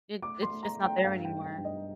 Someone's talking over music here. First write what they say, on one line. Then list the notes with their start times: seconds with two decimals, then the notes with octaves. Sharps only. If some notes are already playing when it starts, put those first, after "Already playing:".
It it's just not there anymore.
0.22 A3 D6
0.42 C6
0.50 A3
0.63 A#5
0.77 A3
0.84 G5
1.04 G2 F5
1.24 G5
1.31 D#4
1.45 G5
1.58 G2
1.65 D#5